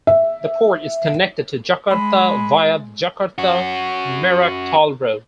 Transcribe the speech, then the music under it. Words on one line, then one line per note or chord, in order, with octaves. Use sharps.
The port is connected to Jakarta via the Jakarta-Merak Toll Road.
E5
G#3 B5
C#4 F#4